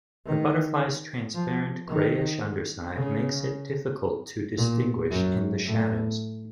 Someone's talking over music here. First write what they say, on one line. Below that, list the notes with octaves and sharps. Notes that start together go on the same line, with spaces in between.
The butterflies transparent greyish underside makes it difficult to distinguish in the shadows.
D#3
F3
D#3
C#3
A#2
F#2
A2